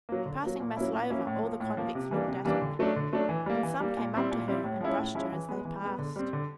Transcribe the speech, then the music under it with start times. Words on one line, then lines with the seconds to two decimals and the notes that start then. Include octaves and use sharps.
Passing Maslova, all the convicts looked at her, and some came up to her and brushed her as they passed.
0.09 F#3 A#3
0.26 D3
0.43 F#3 A#3
0.60 A#2
0.77 F#3 A#3 C#4 E4
0.93 A#2
1.10 F#3 A#3 C#4 E4
1.27 A2
1.43 F3 A#3
1.60 A2
1.77 F3 A#3
1.95 C3
2.11 E3 G3 A#3 D4
2.28 C3
2.45 E3 G3 A#3 D4
2.62 D3
2.79 F#3 A3 D4
2.96 D3
3.13 F#3 A3 D4
3.29 E3
3.46 G3 A#3
3.63 E3
3.80 G3 A#3
3.97 A#2
4.14 G3 C4 E4
4.31 A#2
4.48 G3 C4 E4
4.64 A2
4.81 F3 G#3 C#4 E4
4.98 A2
5.14 F3 G#3 C#4 E4
5.32 E3
5.49 G#3 B3
5.65 E3
5.82 G#3 B3
5.99 D3
6.16 G3 C4
6.33 D3